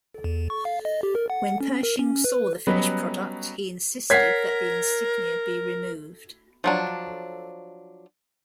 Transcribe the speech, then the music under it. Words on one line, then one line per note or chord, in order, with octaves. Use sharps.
When Pershing saw the finished product, he insisted that the insignia be removed.
E2
C#6
F5
D#5
G4
A#4
F#5
C#4
A#4
C#4
B4
F#3 G3 B3 C#4 B4 D#5
A#4 C#5 F#5 G#6 B6 C7
F3 F#3 D4